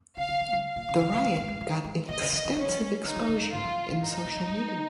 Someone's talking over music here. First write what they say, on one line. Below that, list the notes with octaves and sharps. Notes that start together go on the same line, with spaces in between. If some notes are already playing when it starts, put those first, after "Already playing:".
The riot got extensive exposure in social media.
C#3 F5
C#3
D#3
C#3
F5
A#2
C#3
D#3
C#3
F2
G#2
G#2
F3
G#2
A#2 D#5
C#3
D#3
D#3
D#3 C#4
F3
G#3
D#3 D#4
F3
D#3
F2
G#2 F4
F3
F3
A#2
G#2 D#4
F2
A#2
G#2
G#2